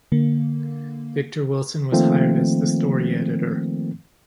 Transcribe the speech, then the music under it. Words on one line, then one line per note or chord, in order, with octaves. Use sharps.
Victor Wilson was hired as the Story Editor.
D3 A#3
D#3 F3 A3 A#3 C4